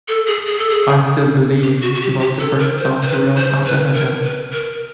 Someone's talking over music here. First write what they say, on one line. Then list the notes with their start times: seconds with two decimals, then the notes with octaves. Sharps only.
"I Still Believe" was the first song he wrote after her death.
0.08 A4
0.27 G#4
0.46 G#4
0.58 A4
0.69 G#4
1.62 G4
1.82 F#4
1.94 F#4
2.01 G4
2.21 G4
2.40 A4
2.59 A#4
2.78 C5
3.02 C5
3.07 B4
3.37 C5
3.66 B4
3.94 A#4
4.24 B4
4.52 A#4